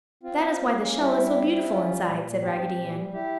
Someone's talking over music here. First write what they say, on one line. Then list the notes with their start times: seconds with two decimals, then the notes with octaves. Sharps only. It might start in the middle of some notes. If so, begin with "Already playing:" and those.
"That is why the shell is so beautiful inside!" said Raggedy Ann.
0.23 C4 F4
0.42 C4
0.59 A#3
0.77 C#4
0.96 G3 E4
1.13 G3
1.31 C4
1.50 E4
1.68 C#4 F4
1.86 G3
2.05 A#2
2.22 A#2
2.40 G#2 G4
2.58 C4
2.76 A#2
2.94 G3
3.12 E4 G4